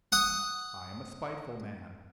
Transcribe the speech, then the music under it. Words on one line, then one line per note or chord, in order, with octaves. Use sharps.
I am a spiteful man.
F#5 D#6